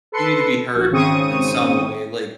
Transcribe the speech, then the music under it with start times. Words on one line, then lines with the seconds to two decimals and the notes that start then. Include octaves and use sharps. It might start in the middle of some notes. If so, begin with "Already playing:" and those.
you need to be hurt in some way, like
0.12 A4 B4 C6 C#7
0.75 A#1 F#4
0.91 G#1 C#3 C4 C#6 D#6 D#7